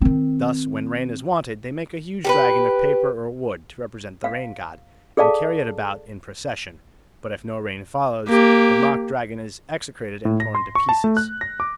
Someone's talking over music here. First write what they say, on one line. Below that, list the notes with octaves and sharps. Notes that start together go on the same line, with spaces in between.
Thus, when rain is wanted they make a huge dragon of paper or wood to represent the rain-god, and carry it about in procession; but if no rain follows, the mock-dragon is execrated and torn to pieces.
D#3 C4
G4 A4 B4
F5
G#4 A4 D5 F5 A5
A#3 G4
A2
A#6
C6
C#6
A5
A3
F#6
A#6
D6